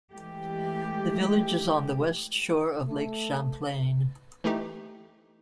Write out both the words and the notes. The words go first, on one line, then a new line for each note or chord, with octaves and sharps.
The village is on the west shore of Lake Champlain.
E3 G#3 A3 G4
A3
E3 A3 D#4 G4